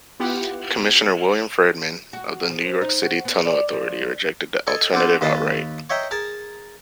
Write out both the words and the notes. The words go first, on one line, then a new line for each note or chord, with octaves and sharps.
Commissioner William Friedman of the New York City Tunnel Authority rejected the alternative outright.
B3 E4 F4 G4 F#5
F#4
F3
D#4
F#4
B3
D5
F3
A4 D#5 G#5
B3 D4 A4 C5
D#2 B4 D#5 A5 D#6
C#5 D#5 E5 G5 A#5
G#4 A#4 A5 A#5